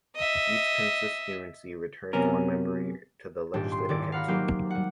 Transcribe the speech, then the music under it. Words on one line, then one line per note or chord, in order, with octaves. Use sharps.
Each constituency returns one member to the Legislative Council.
D#5 E5
F#2 C3 B3 C#4 A#4
D#1 G#2 D4 G4
C6
G#1 D#3 E4 D5
F5 F#5 B5 A#6
F#3 A#3 D#4 G4 A#4 C5
G3 F#5